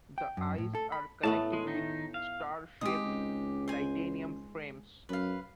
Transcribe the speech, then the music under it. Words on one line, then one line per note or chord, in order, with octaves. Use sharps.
The "eyes" are connected with star shaped titanium frames.
G5
F#2
A2
A4
B5
A2 A3 B3 A5
G#3
D#3 D#4
F5
G#3 C4 D#4 G4 D#6
C#2
C5 G#5
F#2 B4 F5